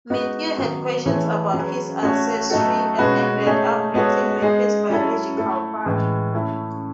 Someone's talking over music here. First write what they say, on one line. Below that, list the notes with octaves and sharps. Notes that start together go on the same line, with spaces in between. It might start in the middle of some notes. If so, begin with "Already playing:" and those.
Matthew had questions about his ancestry and ended up meeting his biological father.
G#3 B3 D#4 F#4
D#3 F#3 B3
E3 A3 E4 G#4 C#5
F#3 C#4 G#4 B4
A3 C#4 F#4 C#5
F#3 A3 D#4 F#4 A4
B2 G#3 C#4 F#4 B4
A3 D#4 G#4 C#5
G#3 B3 F#4 A4 C#5
G#3 D#4 G#4
F#3 C#4 E4 A4
A3 E4 A4
A2 E3 G#3
A3 C#4 E4